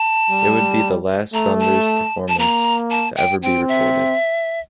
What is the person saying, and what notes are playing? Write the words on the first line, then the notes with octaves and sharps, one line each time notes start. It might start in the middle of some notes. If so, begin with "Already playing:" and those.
It would be the last Thunders performance to ever be recorded.
Already playing: A5
G3
A3 A#5
A5
A5
A#3 A#5
A5
G5
C4 G5
E5